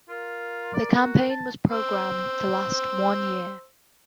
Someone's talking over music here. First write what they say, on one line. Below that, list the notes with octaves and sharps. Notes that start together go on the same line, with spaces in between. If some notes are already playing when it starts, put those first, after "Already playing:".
The campaign was programmed to last one year.
F4 A#4
D5
F#4
A5
C5 E6